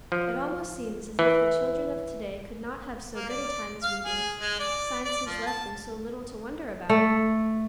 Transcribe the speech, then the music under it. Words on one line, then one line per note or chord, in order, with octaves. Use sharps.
It almost seems as if the children of to-day could not have so good a time as we did, science has left them so little to wonder about.
F3
E3
A#3
D5
F5
G#4
G#3
D5
D5
F3
A5
A3